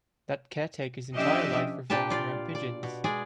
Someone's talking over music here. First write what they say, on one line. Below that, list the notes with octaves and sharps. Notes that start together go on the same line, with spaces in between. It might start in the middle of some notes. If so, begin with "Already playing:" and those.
That caretaker's entire life revolves around pigeons.
F3 C#4 D4 G4 D#5 E5
A#2 D4 G4 B4 A5
F4 D5
D5
B2
G#3 G#4 D5